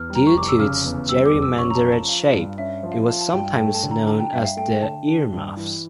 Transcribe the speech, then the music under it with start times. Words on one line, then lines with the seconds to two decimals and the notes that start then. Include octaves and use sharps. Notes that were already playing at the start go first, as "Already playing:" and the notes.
Due to its gerrymandered shape it was sometimes known as the earmuffs.
Already playing: E2 F6
0.10 G3
0.15 A#5
0.27 C#6
0.34 F1 D6
0.48 E6
0.59 C#3 F6
0.85 E2
1.09 G3 E6
1.26 D6
1.34 F1
1.42 E6
1.58 C#4 C#6
1.70 A#5
1.75 A5
1.84 F3
1.92 A5
2.08 F4 F5
2.34 G2
2.58 C#4 E5
2.83 F3
2.92 F5
3.08 F4 A5
3.21 A5
3.33 G2 G5
3.58 A3 G5
3.74 A5
3.83 D3
3.91 A#5
4.07 D4 A5
4.20 G5
4.33 G2 E5
4.45 F5
4.57 A3 G5
4.82 D3 A5
5.07 D4
5.33 G2
5.57 E3